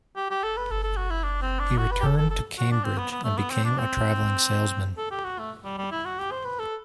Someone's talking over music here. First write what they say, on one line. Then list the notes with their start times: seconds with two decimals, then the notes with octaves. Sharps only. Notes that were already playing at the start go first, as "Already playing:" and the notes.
He returned to Cambridge, and became a traveling salesman.
0.16 G4
0.30 G4
0.43 A4
0.57 B4
0.71 A4
0.83 A4
0.97 F#4
1.10 E4
1.23 D4
1.42 C4
1.59 D4
1.78 F#4
1.91 B4
2.01 G4
2.04 A4
2.17 A4
2.30 A4
2.58 F#4
2.72 D4
2.84 C4
2.98 B3
3.11 B3
3.24 A3
3.37 B3
3.51 C4
3.64 D4
3.78 C4
4.98 A4
5.11 G4
5.25 F#4
5.39 A3
5.65 G3
5.78 G3
5.92 E4
6.05 F#4
6.19 G4
6.31 C5
6.45 B4
6.59 A4